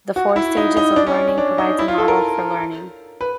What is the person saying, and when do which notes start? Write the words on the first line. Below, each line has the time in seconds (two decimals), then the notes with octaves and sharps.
The Four Stages of Learning provides a model for learning.
0.16 F#4
0.36 E4
0.57 D#4
0.77 D#4
0.96 D4
1.07 C#4
1.28 C#4
1.38 D4
1.58 D#4
1.79 E4
1.88 F4
1.98 A4
2.08 A#4
3.21 B4